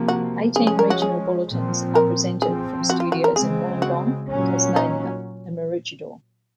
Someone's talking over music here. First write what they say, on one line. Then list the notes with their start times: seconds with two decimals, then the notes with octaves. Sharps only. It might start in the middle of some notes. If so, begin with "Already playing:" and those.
Eighteen regional bulletins are presented from studios in Wollongong, Tasmania and Maroochydore.
Already playing: C3 F3 A#3
0.08 F#4
0.55 F3 G#3 C#4 G#4
0.67 G#4
0.79 A#4
0.90 F#4
1.02 G#4
1.49 A#2 F3 C4
1.95 A#4
2.42 F3 C4 G#4
2.90 F#4
3.00 F4
3.12 F#4
3.24 A#4
3.36 C#3 G#3 C4 G#4
3.82 F#4
4.29 A#2 F#3 C#4
4.76 D#4